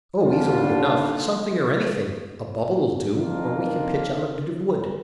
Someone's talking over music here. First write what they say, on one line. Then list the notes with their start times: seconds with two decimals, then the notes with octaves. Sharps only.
"Oh, easily enough; something or anything--a bubble'll do, or we can pitch out a bit of wood."
0.21 D#2 D3 G3 D4 F4
3.12 F2 D#3 A#3 D4 F4